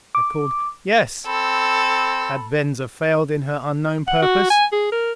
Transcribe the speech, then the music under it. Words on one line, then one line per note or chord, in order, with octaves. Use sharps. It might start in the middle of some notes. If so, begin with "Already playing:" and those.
I called, "Yes!" Had Venza failed in her unknown purpose?
D6
C4 A4 B5
F#5
F#4
G#5
G#4
A#4